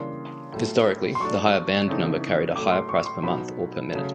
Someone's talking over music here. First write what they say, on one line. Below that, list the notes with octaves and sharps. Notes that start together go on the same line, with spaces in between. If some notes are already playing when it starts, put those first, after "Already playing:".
Historically, the higher band number carried a higher price per month or per minute.
Already playing: C#3 E3 G3 A#3 D4 C6
A2 F#3 A3
C6
F#3 A3 D4 C#6
C#3 E3 A3 C4 D#4
A2 F#3 A3 D6
C6
C#6
C6
B2 F#3 B3 D#4 B5
C#3 F#3 A3